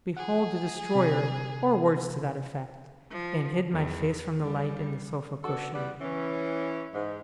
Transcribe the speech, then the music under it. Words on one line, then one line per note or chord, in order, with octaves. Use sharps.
Behold the destroyer!'--or words to that effect--and hid my face from the light, in the sofa cushion.
G#4 F#5
C3
F3
E2
G3
B3 D4 F#4 A4
E2 G3 B3 B4 D5
E3 C#4
G#2